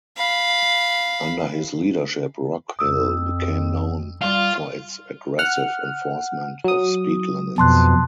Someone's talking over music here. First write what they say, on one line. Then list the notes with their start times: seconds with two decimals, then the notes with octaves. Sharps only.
Under his leadership Rock Hill became known for its aggressive enforcement of speed limits.
0.17 F5 B5
2.79 F2 D#6 E6
4.21 G3 F4
5.39 F#5 F6
6.64 F#3 D#6
7.58 F2 B2 A5 C6 F#6